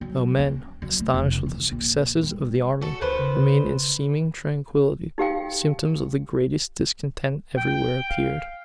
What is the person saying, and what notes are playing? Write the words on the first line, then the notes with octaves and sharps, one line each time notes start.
Though men, astonished with the successes of the army, remained in seeming tranquillity, symptoms of the greatest discontent every where appeared.
F#3
C#4
F#3
A3
F1
E3
A#1
G3
F#4 A4
D2 D#3 B4 C5
C#3
D#4 G4 F5 G5
G5
F5